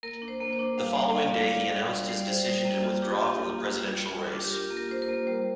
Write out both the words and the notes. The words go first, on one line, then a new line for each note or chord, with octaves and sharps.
The following day he announced his decision to withdraw from the presidential race.
A#3 A#4
D4
C5
A#3
C5
D4
G3 F5
G3 D5
F5
F4
D5
D4
F5
G3 D5
F4
G3
G3
D5
G3 C5
G3
A#3
F4
D4 G4
A#3
A#3
F4
G3
F4
F4
D4
G4
F4 A#4
A#3
A#4
F4 C5
A#4
A#3
G3 C5